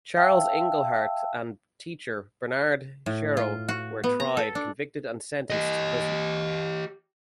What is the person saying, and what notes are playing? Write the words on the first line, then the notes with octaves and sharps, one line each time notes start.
Charles Engelhardt and teacher Bernard Shero were tried, convicted and sentenced to prison.
E5 F5 G5 A5 E6
A2
F4
F#4
B3
A#5
A4
D4
G4 D#5